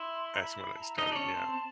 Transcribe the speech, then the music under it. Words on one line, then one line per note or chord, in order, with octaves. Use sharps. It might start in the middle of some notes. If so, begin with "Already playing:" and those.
as when I started, yeah.
Already playing: E4 E5 C6
A#5
B5
B5
A5
A#5
D#4 D#5 A5
D5
C#4 C#5
C4 C5